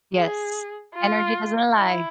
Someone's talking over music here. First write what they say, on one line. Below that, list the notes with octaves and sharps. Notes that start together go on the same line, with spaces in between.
Yes. Energy doesn't lie.
G#4
F4
E4